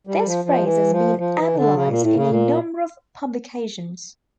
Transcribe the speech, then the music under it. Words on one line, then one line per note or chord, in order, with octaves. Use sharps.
This phrase has been analyzed in a number of publications.
G3
F3
F3
E3
F3
F3
E3
D3
C#3
A#2
A2
C#3
A#2